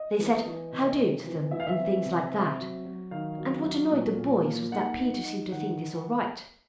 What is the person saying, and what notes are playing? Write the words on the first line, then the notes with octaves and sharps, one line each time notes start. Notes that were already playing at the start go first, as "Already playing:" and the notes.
They said 'How-do?' to them, and things like that; and what annoyed the boys was that Peter seemed to think this all right.
Already playing: D#5
E3
E3
C3
C4
E3
E3 E5
F5
E5
C4
C3
C4
F#3
F#3
D#3 F5
F#3
F#3
A#2
A#2
A#3
D#4 F#5
D#4
D#4
D#3 F#5